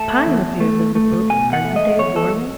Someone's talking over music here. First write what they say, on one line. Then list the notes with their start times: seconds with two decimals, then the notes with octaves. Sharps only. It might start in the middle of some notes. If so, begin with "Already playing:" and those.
Pine appears in the book Are You Dave Gorman?
Already playing: A3 A5
0.27 E2
0.60 A3
0.95 A3
1.30 B2 G#5
1.53 F#5
1.64 A3
1.76 D#5
1.99 E2 C#5
2.16 A4